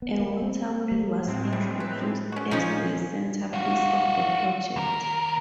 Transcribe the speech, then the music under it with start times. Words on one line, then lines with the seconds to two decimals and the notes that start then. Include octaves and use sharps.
A water wheel was introduced as the centrepiece of the project.
0.02 B3
0.20 A#3
0.42 C4
0.92 G3
1.27 A2 G#3 C4
1.53 G3
1.80 B4
2.32 C#4 F#4
2.51 A#2 F3 C#4 D#4 G#5
3.54 F4 F#4
4.76 D#2 A#4